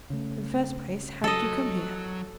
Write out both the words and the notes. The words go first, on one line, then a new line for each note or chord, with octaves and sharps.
"In the first place, how did you come here?"
C#3 A3
F#3 A4 D#5